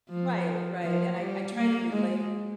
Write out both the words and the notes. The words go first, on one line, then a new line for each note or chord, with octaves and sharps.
Right, right, and I I try to relate
F3
F3
G3
A#3
G#3